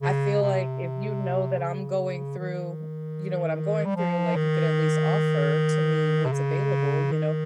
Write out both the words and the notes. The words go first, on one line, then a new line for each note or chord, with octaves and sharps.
I feel like, if you know that I'm going through, you know, what I'm going through, like, you could at least offer to me what's available, you know,
C#3
C3
C#3
D#3
G3
F3
D#3
C3
C#3
D#3